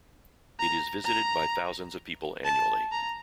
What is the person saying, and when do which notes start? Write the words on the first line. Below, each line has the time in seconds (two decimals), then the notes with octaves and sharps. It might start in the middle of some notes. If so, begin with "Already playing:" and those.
It is visited by thousands of people annually.
0.60 A#5
1.05 A#5
2.45 A5
2.92 A#5